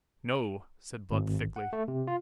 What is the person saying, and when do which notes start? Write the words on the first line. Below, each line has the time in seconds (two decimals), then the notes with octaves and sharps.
"No," said Blood thickly.
1.11 G#1
1.56 F#5
1.73 A3
1.88 C3
2.07 F4